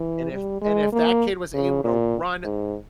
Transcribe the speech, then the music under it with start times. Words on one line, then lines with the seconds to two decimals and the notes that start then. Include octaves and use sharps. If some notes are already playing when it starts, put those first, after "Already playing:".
and if And if that kid was able to run
Already playing: E3
0.31 G3
0.61 G#3
0.92 A#3
1.54 C#3
1.84 A#2
2.44 G#2